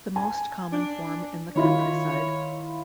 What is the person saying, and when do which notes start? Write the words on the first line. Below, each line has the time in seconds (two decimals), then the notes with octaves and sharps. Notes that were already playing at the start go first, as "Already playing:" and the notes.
The most common form in the countryside.
0.16 G#5
0.72 D4
1.56 D#3 E4 F4 C#5